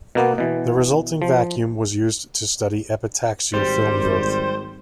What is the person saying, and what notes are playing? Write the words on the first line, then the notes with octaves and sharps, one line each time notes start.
The resulting vacuum was used to study epitaxial film growth.
B2 A#3 B3
B2 E3
F3
G#1 G3 C5